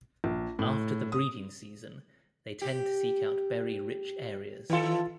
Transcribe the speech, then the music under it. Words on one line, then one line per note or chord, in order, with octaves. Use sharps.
After the breeding season, they tend to seek out berry-rich areas.
A#1
A2
D#6
G4
D#3 E3 F4 A4